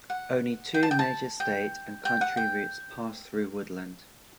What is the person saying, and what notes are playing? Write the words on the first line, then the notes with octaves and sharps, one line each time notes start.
Only two major state and county routes pass through Woodland.
F#5
G5
A5
G5
A5
G5
G5
F#5
G5